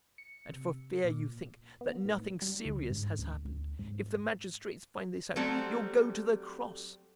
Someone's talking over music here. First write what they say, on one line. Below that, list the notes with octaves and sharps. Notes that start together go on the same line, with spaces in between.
And for fear you think that nothing serious has happened, if the magistrates find this out you'll go to the cross!
C#7
C3
A#2
B3
A2
G3
D2
G#2
D2
D2
G#2
F#3 G3 A3 C4